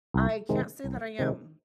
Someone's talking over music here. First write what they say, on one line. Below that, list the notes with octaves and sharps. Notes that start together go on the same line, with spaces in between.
I can't say that I am.
C2
C3 D#3 G#3
C2
C3 D#3 G#3